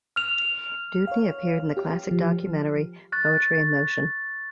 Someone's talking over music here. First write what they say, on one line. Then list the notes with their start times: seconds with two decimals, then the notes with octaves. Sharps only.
Dewdney appeared in the classic documentary "Poetry in Motion".
0.16 F6 F7
1.07 C#5 F5
1.77 G4
2.11 F3
3.12 C#6 F#6 A6